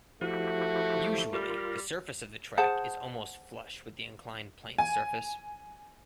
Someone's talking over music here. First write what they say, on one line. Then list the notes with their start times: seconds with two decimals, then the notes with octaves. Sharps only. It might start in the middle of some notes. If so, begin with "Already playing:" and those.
Usually, the surface of the track is almost flush with the inclined plane's surface.
0.21 F3 A3 E4 F#4 G4
1.33 G3 F4 A#4
2.57 G#4 C5 F#5 A5
4.78 G#5